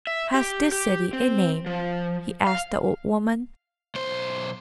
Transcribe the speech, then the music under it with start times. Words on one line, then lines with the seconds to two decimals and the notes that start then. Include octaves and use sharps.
"Has this city a name?" he asked the old woman.
0.07 E5
0.34 G4
0.72 G4
1.13 C4
1.66 F3
2.47 F5
3.95 B1 C5